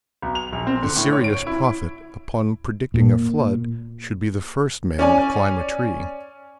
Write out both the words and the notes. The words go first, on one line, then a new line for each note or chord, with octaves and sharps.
A serious prophet upon predicting a flood should be the first man to climb a tree.
B1
F7
A#1
C4
D3
A2
C#5
D7
E4
A#2
C#4 D5 G#5